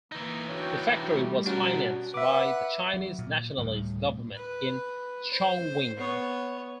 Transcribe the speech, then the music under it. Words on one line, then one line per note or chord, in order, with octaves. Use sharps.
The factory was financed by the Chinese Nationalist government in Chongqing.
E3 A#3 D#4
D4 F#4 C#5 G5
G3 A3
B2 C#4 D4 F#4 A#4
B4 E5 F#5 D6
F#3
A#2
D2 A2 G3
B4
C5
B3 C#5